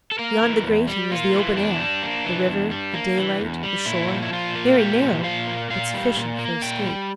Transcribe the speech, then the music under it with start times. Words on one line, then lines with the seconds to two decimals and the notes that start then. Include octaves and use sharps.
Beyond the grating was the open air, the river, the daylight, the shore, very narrow but sufficient for escape.
0.12 A4
0.19 A#3 A#4
0.42 E3
0.64 E2
0.87 G3
1.11 A#3 F4
1.34 E3
1.57 E2 D4
1.80 G3
2.02 A#3
2.25 E3
2.48 E2
2.71 G3
2.94 A#3
3.18 E3
3.40 E2
3.63 G3
3.86 A#2 E4
4.09 F3
4.22 E4
4.33 A#2 F4
4.55 A#3
4.72 F4
4.78 A#2 G4
5.01 F3
5.24 A#2 F5
5.47 A#3
5.70 A#2 F5
5.94 G3
6.17 A#2
6.39 A#3
6.62 A#2 G5
6.85 G3